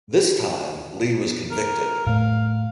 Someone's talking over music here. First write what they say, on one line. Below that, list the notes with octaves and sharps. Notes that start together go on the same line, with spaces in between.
This time, Lee was convicted.
A#4
A2 A3 F5